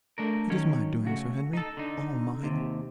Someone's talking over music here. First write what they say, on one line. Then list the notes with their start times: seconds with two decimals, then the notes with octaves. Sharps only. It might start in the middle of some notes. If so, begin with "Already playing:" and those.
It is my doing, Sir Henry--all mine.
0.18 A3 D4 A#4
0.50 D#3 F#3 C#4 C#5
1.05 C#3 A3 F#4
1.53 D#4 A4
1.77 D3 D#4
2.43 D#2 C3